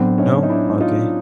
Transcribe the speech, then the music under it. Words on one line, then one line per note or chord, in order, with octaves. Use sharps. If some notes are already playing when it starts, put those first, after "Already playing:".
No? Okay.
Already playing: A2 F#3 B3 C4 D4
C#4 D#4
D#4
D4 E4
D#4 F4